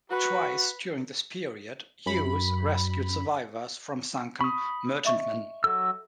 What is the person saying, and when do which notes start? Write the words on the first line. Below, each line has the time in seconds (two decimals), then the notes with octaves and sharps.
Twice during this period, "Hughes" rescued survivors from sunken merchantmen.
0.10 F#4 B4
2.06 F#2 B5
4.41 B5 C#6 D#6
5.05 D#5 E5 C#6
5.64 F#3 A4 E6